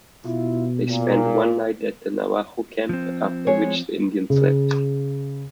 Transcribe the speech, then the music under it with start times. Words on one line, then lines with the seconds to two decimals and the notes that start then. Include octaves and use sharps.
They spent one night at the Navajo camp, after which the Indians left.
0.25 B2 E4 F4
0.89 A#2
2.89 F3 C4
3.47 G#3 C#5
4.30 C#3